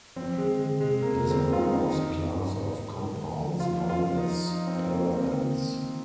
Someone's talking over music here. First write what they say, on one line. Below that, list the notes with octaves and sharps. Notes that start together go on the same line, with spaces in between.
It is a member of the class of compounds known as parabens.
F3 C4
D#3 G#3
D3 G#3
C3 G#3
C3 A#3
D3
C4
F4
D#4
D#3
D#3 D#4
F2
G2
G#2
G#2
A#2
D#3
F3
F4
F4
D#4
D#4
C4
A#3
C4
D#3
D#3